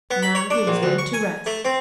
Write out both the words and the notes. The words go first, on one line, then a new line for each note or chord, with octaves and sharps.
Now he was laid to rest.
B3
B5
C#5
D4
A#1
D2
C#6
G#5
A3
C4